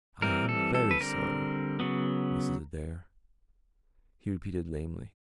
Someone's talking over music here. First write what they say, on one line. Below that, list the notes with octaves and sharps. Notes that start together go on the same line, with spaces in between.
"I am very sorry, Mrs. Adair," he repeated lamely.
E3 G3 C4 A#4
A4
A4
B4
D3 G3 C4 A#4
C#3 F#3 B3